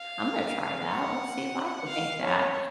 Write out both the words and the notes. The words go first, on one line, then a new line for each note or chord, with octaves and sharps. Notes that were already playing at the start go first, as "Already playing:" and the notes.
I'm gonna try that, let's see if I can make that,"
Already playing: F5
F#5
F5
C#5